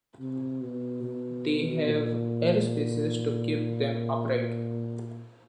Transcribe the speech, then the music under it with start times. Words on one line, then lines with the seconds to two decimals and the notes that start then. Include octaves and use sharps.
They have air spaces to keep them upright.
0.20 C3
0.62 B2
1.02 B2
1.87 A#2